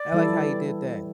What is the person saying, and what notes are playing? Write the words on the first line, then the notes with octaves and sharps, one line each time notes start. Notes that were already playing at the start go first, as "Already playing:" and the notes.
I like how he did that.
Already playing: D5
E3 G3 E4 A4
G3